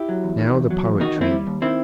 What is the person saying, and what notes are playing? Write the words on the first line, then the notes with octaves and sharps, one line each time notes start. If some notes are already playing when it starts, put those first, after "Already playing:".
"Now the poetry."
Already playing: E4 G4
F#3
E2
D#3
E2
F#3
E2
D#3 D#4 F#4
D#2 C4 E4
G3
D#2
D#3 C4 E4